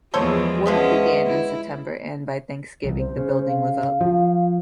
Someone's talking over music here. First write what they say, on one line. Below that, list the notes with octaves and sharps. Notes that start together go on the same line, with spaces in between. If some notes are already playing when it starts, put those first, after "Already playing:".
Work began in September and by Thanksgiving the building was up.
E2 F3 G#3 A4 C5 C#5
D3 F3 F#3 G#3 C#4 B4 E5 F#5
E4
C2 E3
C5
C#3
F5
F3